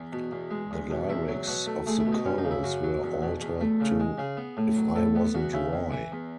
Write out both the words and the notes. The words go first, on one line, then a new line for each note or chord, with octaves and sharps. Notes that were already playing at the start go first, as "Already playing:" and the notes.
The lyrics of the chorus were altered to "If I wasn't Roy".
Already playing: E2
B2
E2
G#3
E2
B2
E2 E4
F#3
B2 F#4
A3
A3 G#4
E4
B2
D#4
F#2 C#4
D#4
C#3
E4
F#2 F#4
F#3
E2
B2
E2
A3
C#3
G#3
C#3 G#4
B3
A2
F#3
A2 A4
B3
E2 F#4
C#3 E4
E2
E3
E2